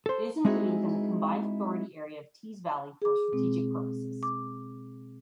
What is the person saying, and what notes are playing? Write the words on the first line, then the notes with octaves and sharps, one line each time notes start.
It is included within the combined authority area of Tees Valley for strategic purposes.
A4 C5
G#3 C4 D#4 E4 F#4 G#4
G#4 D6
B2 G#3 C4
D6